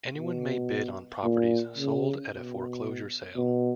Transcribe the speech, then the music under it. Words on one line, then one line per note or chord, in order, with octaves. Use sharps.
Anyone may bid on properties sold at a foreclosure sale.
B2
A#2
C#3
B2
B2